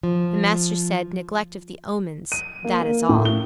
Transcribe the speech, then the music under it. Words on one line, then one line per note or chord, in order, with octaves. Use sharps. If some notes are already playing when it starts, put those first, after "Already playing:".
The Master said, Neglect of the omens, that is all.
F3
D#7
A#3
A#3
A2
G7